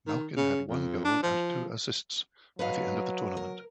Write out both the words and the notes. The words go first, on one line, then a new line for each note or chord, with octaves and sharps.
Malkin had one goal and two assists by the end of the tournament.
D#3
C#3
F2
D4
F3
F#3 B4 D#5 F5
A#4